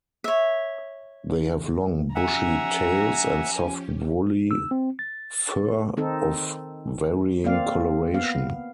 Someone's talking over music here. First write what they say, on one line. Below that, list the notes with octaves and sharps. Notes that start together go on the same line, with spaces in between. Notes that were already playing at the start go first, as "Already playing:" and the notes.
They have long, bushy tails and soft, woolly fur of varying coloration.
C#5 E5
F3 C#4 G4 E5 F#5 G#5 A#5
E6
C4
A6
D#3 C4 D#4 A4
A#3 C4 D5 F5
B3 F5